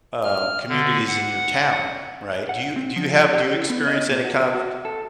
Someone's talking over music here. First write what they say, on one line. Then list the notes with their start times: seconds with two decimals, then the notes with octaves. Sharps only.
um, communities in your town, right? Do you do you have do you experience any kind of,
0.24 F6
0.69 D3
1.07 F#5
2.49 F#5
2.76 C4
2.96 F3
3.33 G4
3.55 E4
3.70 B3
3.87 D#5
4.09 A#2
4.24 F#4
4.55 F#4
4.85 A4